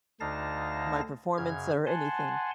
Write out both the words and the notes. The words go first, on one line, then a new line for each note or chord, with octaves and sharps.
my performance or anything.
D2 D3 D#4 F5 A5 A#6
F#2 C#3 F6 G#6
F#5 G#5 A5 C6